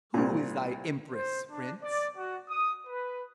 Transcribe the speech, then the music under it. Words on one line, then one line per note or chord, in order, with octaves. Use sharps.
Who is thy Empress, Prince?
C2 A#2
C5
D4
D5
F#4
D#6
B4